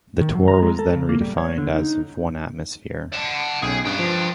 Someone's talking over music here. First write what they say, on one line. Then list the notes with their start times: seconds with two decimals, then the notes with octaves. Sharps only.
The torr was then redefined as of one atmosphere.
0.21 D#3
0.35 F#3
0.48 A#5
0.62 G#3
0.79 A4
0.96 C#3
1.09 A#3
1.21 G3
1.37 C#5
1.58 D3
1.74 D#4
3.13 F#5 A5
3.63 B1 C#4 G#4
3.85 G2 B4 G5
3.99 F3